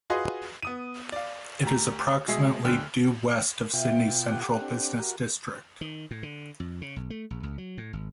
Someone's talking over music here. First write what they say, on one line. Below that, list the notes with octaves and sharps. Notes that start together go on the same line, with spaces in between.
It is approximately due west of Sydney's central business district.
F4 F#4 G#4 B4 D#5 C6
B3 D#6 D#7
D5 F5
D2 G4 A#5
B2 G#3 G#4 E5 C7
D1 D3 G5 F6
B2 F4 E5 G5
G4 A4 F#5
C4 D4
F#4 A#4
D#3
A2
D3
F2
C#3
B1
A3
A#1
C#2
F#3
A2
G#1